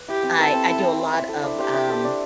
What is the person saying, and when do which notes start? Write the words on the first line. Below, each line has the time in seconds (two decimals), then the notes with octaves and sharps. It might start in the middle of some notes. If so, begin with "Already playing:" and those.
I I do a lot of, um,
Already playing: B4
0.08 E4 G4
0.23 C4
0.38 A4 B4
0.54 C4
0.69 E4
0.83 C4
0.99 C5
1.14 E5
1.29 A4
1.44 D4
1.59 G4 C5
1.74 E5
1.89 A4
2.05 D4